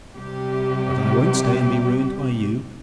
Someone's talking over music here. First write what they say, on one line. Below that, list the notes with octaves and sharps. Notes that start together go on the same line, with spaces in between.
But I won't stay and be ruined by you.
C3 G3 G4